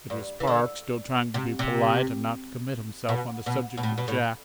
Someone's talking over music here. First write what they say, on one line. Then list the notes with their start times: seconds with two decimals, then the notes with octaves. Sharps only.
It was Park, still trying to be polite and not commit himself on the subject of Jack.
0.10 G2
0.40 E3
0.47 D3
1.34 C3
1.59 C3
3.09 B2
3.46 B2
3.77 B2
3.83 A2
3.98 B2
4.08 A2